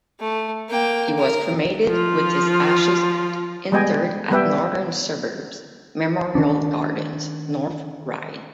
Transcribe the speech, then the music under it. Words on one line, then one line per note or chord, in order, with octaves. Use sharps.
He was cremated with his ashes interred at Northern Suburbs Memorial Gardens, North Ryde.
A3
A#3 G5
A#4
F3 F4
G3 G#3 B3 D#5 G5 G#5
G3 B3 B4 E5 G5
D#3 C#4 D4